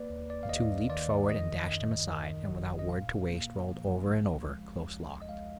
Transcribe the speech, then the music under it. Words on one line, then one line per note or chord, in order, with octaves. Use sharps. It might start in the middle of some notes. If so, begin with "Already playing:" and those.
The two leaped forward and dashed him aside, and without word to waste rolled over and over close locked.
Already playing: A#3 B4 D5
D#2
D5
F5
D#2 D#5
D#3 D5
D#3 D#5
F#2
D#3
G#1
D#5
A#2 F5
A#3
F3
B1
G#3
D#2
D#5
G#3 F5